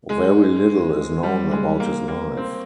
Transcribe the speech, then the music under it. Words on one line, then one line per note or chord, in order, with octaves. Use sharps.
Very little is known about his life.
G#3
G3
G#3
A#3
A#3
C4